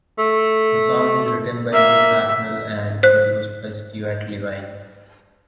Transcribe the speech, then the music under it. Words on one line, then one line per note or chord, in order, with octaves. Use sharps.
The song is written by Mick Hucknall and produced by Stewart Levine.
A3
A#3 E5
C5 F#6